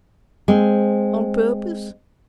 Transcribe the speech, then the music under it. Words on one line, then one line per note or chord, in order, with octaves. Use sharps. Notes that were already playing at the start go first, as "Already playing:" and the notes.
On purpose.
G#3 C4